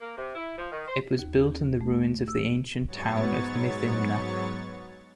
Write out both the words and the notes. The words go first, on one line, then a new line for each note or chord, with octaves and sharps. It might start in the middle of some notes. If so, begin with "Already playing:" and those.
It was built in the ruins of the ancient town of Mythimna.
A#3
C3
E4
F3
D#3
C5
D#2
A3
E6
G#2 F#3 B3 C#5 C#6 A6